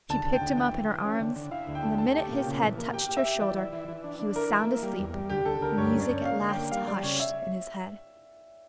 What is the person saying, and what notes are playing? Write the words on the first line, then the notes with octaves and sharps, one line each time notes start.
She picked him up in her arms, and the minute his head touched her shoulder he was sound asleep, the music at last hushed in his head.
D2 A5
D2
G5
D2
E3 G5
E3
E3
C#4
D3
D3
E4 F5
D2
G5
A3
A3 A5
G4
A#2
C#3
E3
A#3
G4 G5
G4
E5
G4
E3 D5
E4
E3
E3
D4
D4
E3 A#4
E4
A#3
G3
E2
G3
D2 G4
D2 A4
D2 A#4
G2 C#5
C#4
D5
C#4
A#3 F5
D3
G5
A#3
G3 F5
G3 D5
C#3 C#5
E5